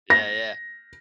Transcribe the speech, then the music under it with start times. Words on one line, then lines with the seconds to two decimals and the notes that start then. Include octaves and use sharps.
Yeah, yeah.
0.10 A#6